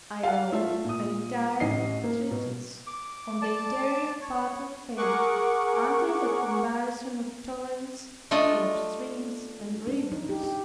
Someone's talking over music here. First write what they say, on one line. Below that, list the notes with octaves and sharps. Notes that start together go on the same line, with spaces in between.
I wrote an entire treatise on the interior path of faith, under the comparison of torrents, or of streams and rivers.
F5 F#5
A3 F4 E5
A#2 D#6
A1 D#5 C7
A#3
B2
D6
D5 A5
C#5
G#4 A#4 F#5 C#6 D6
A3 D4 F4 D#5
D4
D#4
G4
G4